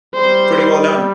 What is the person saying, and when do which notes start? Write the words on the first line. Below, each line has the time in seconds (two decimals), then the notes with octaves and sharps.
Pretty well done!
0.15 G3 C5